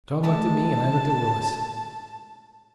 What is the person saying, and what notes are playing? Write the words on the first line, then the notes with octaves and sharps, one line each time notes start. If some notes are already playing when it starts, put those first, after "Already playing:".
John looked at me, and I looked at Willis.
G#3 A3 G4 A5